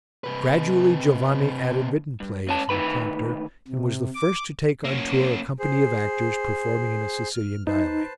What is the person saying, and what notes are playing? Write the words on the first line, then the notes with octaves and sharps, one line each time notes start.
Gradually Giovanni added written plays and a prompter, and was the first to take on tour a company of actors performing in a Sicilian dialect.
C3 B4
G2
G#2 C#4 A5
D2 D#3 B4 B5
C3
D6
A#3 C#4
G#4 C5
F6
D#4 B4 C5 A5